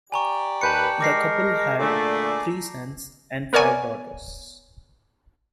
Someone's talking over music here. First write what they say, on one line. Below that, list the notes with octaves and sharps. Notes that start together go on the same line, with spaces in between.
The couple had three sons and five daughters.
G4 D5 G#5 A#5 C#6
D#2 B4 A5 G6 C#7
G#3 A#4 D6 A#6 C7
A#2 D3 A3 G#4 D5
B3 A#4 C#5 D5 G#5